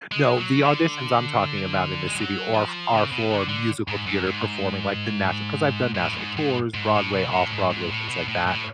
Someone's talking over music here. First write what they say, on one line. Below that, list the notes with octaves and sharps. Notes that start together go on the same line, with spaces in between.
No, the auditions I'm talking about in the city are f are for musical theater performing like the natio 'cause I've done national tours, Broadway, Off-Broadway, things like that.
G#3
F#3
D3
G#3
F#3
F3
C#3
B2
D3
D3
G#2
F#2
G#2
G#2
A2
F#2
G#2
G#2
G#2
A2
B2
A2
G#2
G#2
A2
B2
A2
A2